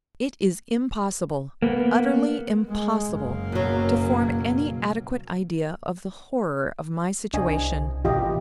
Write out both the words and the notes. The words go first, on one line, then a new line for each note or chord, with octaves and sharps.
It is impossible--utterly impossible--to form any adequate idea of the horror of my situation.
A#3 B3
G#3
F#1 A#3
B2 F#3
C2 D4 D#5 G#5
A1 B2 E3 F4 G4 D#5